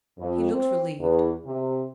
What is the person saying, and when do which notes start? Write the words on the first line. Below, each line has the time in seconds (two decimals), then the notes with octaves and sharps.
He looked relieved.
0.18 F2
0.51 C4
0.99 E2
1.46 C3